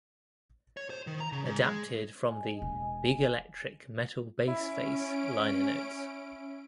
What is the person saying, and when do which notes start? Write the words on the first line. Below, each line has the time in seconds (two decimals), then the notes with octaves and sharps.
Adapted from the "Big Electric Metal Bass Face" liner notes.
0.77 C#5
0.90 C5
1.07 D#3
1.20 A#5
1.32 C#3
1.45 G#2
1.61 G#3
2.26 D#5 G#5
2.62 E1
4.48 C#4 E4 D7